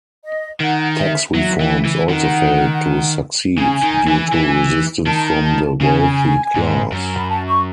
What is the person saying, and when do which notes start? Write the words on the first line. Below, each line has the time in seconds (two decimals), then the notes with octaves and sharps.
Tax reforms also failed to succeed due to resistance from the wealthy class.
0.24 D#5
0.60 D#3 F#5
0.98 E5
1.35 F#3 E5
1.60 E3
1.85 E3
2.09 D#3 F#5
3.58 C#3 G#5
3.83 D#3
4.07 E3
4.33 E3
5.06 D#3 A5
5.44 A5
5.81 C#3 G#5
6.55 G#2
6.92 F#2
7.18 B5
7.29 A5
7.48 C#6